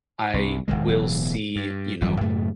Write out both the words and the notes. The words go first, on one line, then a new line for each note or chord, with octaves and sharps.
I will see, you know,
C2
D#1 G#1 D#3 G#3
D1 B2 E3 F#3
G2
G#1 F#2 E3 G3
F#2 A2 C#3 A3